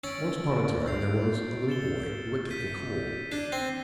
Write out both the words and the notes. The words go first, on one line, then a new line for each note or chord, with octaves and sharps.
Once upon a time there was a little boy who had taken cold.
C#4 E6 A6 D7 F#7
E6 G6 C7 F7
F6 A6 C#7 E7 G7
G6 B6 D#7
D4 G#6 B6 D#7 G7
C4